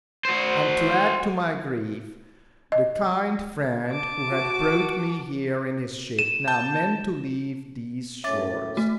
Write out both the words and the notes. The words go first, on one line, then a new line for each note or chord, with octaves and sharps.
And to add to my grief, the kind friend, who had brought me here in his ship, now meant to leave these shores.
F#4 C5
D#5
A5 D6
F#4
D#7 E7
A5 G6
F#2 A2 C#4 E5 D6 A6
A3 F#4